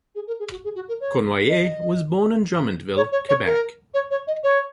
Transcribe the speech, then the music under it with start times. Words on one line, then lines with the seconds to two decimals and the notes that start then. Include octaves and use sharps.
Cournoyer was born in Drummondville, Quebec.
0.15 G#4
0.27 A#4
0.39 G#4
0.51 F#4
0.64 G#4
0.75 F#4
0.88 A#4
1.00 C#5
1.49 D#5
2.96 C#5
3.12 C#5
3.29 C#5
3.45 A#4
3.94 C#5
4.10 C#5
4.27 D#5
4.43 C#5